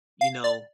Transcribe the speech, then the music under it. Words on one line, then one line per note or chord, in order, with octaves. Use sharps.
you know,
F5
D5